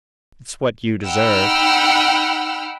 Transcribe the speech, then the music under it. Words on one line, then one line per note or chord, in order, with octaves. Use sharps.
"It's what you deserve."
D#4 F#5 G5 B5 E6 F6